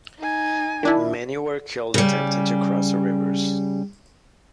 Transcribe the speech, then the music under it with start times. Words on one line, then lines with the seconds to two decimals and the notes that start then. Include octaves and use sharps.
Many were killed attempting to cross the rivers.
0.19 D#4 G#5
0.83 D#3 D4 E4
1.94 C#3 G3